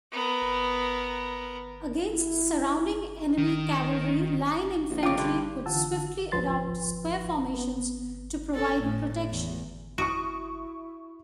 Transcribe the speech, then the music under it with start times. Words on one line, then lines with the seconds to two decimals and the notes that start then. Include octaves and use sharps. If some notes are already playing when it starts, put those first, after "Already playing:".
Against surrounding enemy cavalry, line infantry could swiftly adopt square formations to provide protection.
0.12 B3 A#4
2.04 E4
3.38 D#3
4.90 A#1
5.03 C#3 F4 G5 D6
5.18 G2 D3
5.66 D3 E3 F4 F#5 A5 E6
6.32 C#2 G#2 F3 B4 C6 A6
7.55 B3
8.54 A4
8.83 A2
9.30 E2
9.98 E4 F#4 C#6 D#6 D7